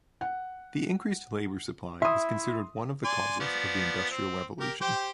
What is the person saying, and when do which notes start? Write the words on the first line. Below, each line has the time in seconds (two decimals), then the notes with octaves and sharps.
The increased labour supply is considered one of the causes of the Industrial Revolution.
0.21 F#5
2.02 E4 E5 C6 D#6
3.05 D5 G#5 C6
3.40 F3 B3 D5
4.11 C4
4.60 G4 A#4
4.81 G4 C5 G5